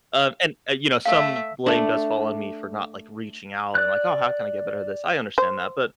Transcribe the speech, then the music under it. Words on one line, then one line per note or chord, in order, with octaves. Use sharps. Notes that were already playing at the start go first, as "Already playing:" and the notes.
Um, and, uh, you know, some blame does fall on me for not, like, reaching out and, like, "Oh, how can I get better at this?" I understand that, but
A3 E5 F5
A3 D4
D5 F#6
C5